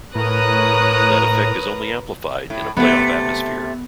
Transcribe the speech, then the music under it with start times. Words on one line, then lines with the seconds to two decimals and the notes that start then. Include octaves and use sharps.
That effect is only amplified in a playoff atmosphere.
0.15 A2 A#4 B4 C#5 A#5 D#6 F#6
2.50 A2
2.77 C3 A3 B3